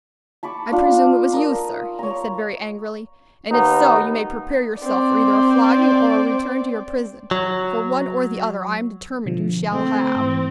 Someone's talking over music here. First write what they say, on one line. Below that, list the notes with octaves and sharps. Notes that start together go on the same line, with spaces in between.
"I presume it was you, sir," he said very angrily, "and if so, you may prepare yourself for either a flogging or a return to your prison, for one or the other I am determined you shall have."
A5 B5 C#6 D6
D4 F4
A#4 D#6
C#5 A#5
D#2 B3 D#4
C4 D5
F#3
B2 D3 F3
A3 C4
G#2 E3